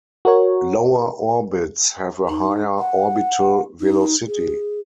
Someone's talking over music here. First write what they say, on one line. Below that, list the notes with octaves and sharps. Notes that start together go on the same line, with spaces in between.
Lower orbits have a higher orbital velocity.
F#4 A#4 C#5
D#4
F#5
D#4
G#4